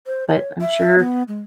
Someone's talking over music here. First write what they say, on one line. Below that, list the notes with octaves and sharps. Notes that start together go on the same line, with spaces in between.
But I'm sure
C5
C#5
E5
B3
G#3